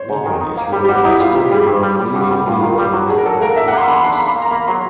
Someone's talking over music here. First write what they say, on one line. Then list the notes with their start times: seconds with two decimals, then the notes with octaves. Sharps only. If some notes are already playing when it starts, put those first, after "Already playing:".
Waldron is regarded as one of the world's leading legal and political philosophers.
Already playing: C5 C#5
0.09 G#2
0.25 D#3
0.41 D#4
0.57 A#3
0.72 G3 G4
0.84 G4
0.88 G3 F#4
1.04 D#4 E4
1.20 G3 F4
1.35 D#4 G4
1.51 G3 G#4
1.67 G2
1.83 G3
2.00 G3
2.14 G2 F#4
2.31 G3 F#4
2.46 G2 F4
2.61 D#3 F4
2.78 G3 F4
2.93 F#3 F#4
3.09 D4 G#4
3.18 A#4
3.25 F#3 A4
3.41 A#3 A#4
3.56 D4 E5
3.68 F#5
3.73 A#3 C6
3.88 D4 B5
4.04 D4 C6
4.16 A#3 B5
4.27 C6
4.36 A#3
4.42 A#5
4.51 A#3 B5
4.67 F#3 C6